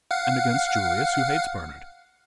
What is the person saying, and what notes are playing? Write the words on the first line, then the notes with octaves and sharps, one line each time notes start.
And against Julius, who hates Bernard.
F5 F#5